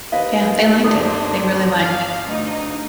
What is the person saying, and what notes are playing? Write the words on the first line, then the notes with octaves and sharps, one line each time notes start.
Yeah, they liked it. They really liked it.
D#2 B4 D#5 F5
G1 C4 D4 A4 C5 A#5
F5
D2 D#4